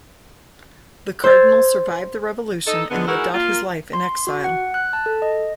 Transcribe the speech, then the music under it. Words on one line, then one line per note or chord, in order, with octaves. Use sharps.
The Cardinal survived the revolution and lived out his life in exile.
C5 E6 G#6 A6
D#4 A4 D#5
D3 E3 G#3 B3
G#3 D#4 E4 F#4 G#4 A#4
A#3 F4
C6
F#4
F#5
F#6
A5
A4
D#5